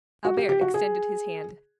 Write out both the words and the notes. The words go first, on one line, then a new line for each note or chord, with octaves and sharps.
Albert extended his hand.
F#4
G4
G4
F#4
G#4